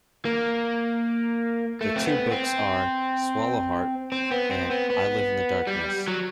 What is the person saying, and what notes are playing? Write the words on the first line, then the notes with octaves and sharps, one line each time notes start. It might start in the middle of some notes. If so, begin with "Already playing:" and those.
The two books are Swallow Heart and I live in the darkness.
A#3
A3
C4
B3
C4
C4
B3
C4
B3
B3
G3
F#3